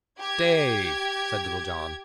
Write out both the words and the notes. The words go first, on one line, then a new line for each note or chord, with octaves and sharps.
"Stay!" said Little John.
G4 G#6